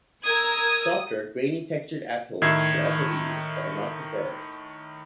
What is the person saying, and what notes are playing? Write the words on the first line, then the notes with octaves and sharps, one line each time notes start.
Softer, grainy-textured apples can also be used, but are not preferred.
A#4 D#6 E6 G#6
A2 D#3 E5 E6 G#6 C7